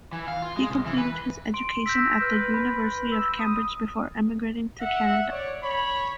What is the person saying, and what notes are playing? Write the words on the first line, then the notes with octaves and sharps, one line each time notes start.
He completed his education at the University of Cambridge before emigrating to Canada.
E3
F5
F4
G#3
C2
E3
B4
C6 D7
E6 G6 A#6 B6
B4 F6 G6
B5
E6
D#6
E5 F#5
C#5 D5
C#5 B5